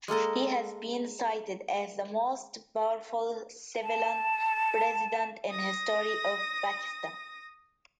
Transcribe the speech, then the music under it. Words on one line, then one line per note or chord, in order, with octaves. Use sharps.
He has been cited as the most powerful civilian president in history of Pakistan.
G#3 A#3 A4 D#5
A5
D#6 A#6